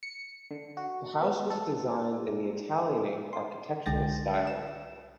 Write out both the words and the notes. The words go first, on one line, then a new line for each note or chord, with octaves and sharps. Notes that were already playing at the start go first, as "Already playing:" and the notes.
The house was designed in the Italianate architectural style.
C#7
D3
F#4
B3
A4
C6
C2 D3 G#3 G5 A6 A#6
E7